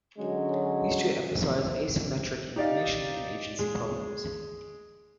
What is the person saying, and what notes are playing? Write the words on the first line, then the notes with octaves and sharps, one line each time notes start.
These two emphasize asymmetric information and agency problems.
D3 F#3 G#3 C#4
D#4 G4 D5 D#5 F5
G#3